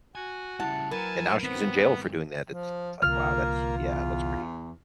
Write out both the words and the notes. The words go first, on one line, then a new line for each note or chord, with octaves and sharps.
and now she's in jail for doing that, it's like, wow, that's yeah, that's pretty
F#4 G#5
C#3 G3 E4 F#5 A5
F#3 A#4 B4 G#5 A5
G2 D#3 B3 C4
F3
C2 D3 E3 A#3 F4 F6
E2